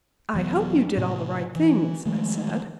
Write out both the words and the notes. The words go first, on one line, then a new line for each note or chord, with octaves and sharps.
"I hope you did all the right things," I said.
E1 E3 F#3 B3
A2 C3
E3
D#3 F3 G#3 A3